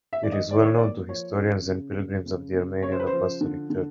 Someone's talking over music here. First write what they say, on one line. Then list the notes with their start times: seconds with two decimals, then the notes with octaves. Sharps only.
It is well known to historians and pilgrims of the Armenian Apostolic Church.
0.13 E5
0.22 D#3 D5
0.32 D#5
0.51 D#3 D5
0.65 C#5
0.78 A#3 D5
1.09 F3 C#5
1.38 C#3
1.67 C#3
1.97 C#3
2.26 C#3
2.54 C#3
2.83 C#3 C#5
2.92 C5
3.00 B4
3.07 C5
3.13 F3
3.41 D3
3.70 D3